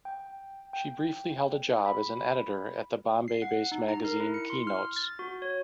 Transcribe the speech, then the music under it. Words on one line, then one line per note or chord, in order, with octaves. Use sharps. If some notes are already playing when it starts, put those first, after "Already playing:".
She briefly held a job as an editor at the Bombay-based magazine Key Notes.
G5
G5
B5
C7
F#5
D#4
A#5
A#4
E4
C#7
C6
F6
A6
F#4
C#5